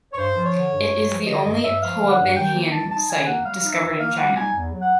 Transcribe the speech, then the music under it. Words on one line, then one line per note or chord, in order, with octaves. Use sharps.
It is the only Hoabinhian site discovered in China.
C#5
G2 C5
F3
C#5
D3
G2
G2
F3
D3 D#5
G2 D#5
G2 E5
F3 F5
D3
F#5
G2
D#3 G5
A#3
G3 A5
D#4 A5
D#3 G#5
A#3 F#5
G3 F5
D#4
E5
D#3
A#3 F5
G3 F#5
D#4 G#5
E2
F#3
F#5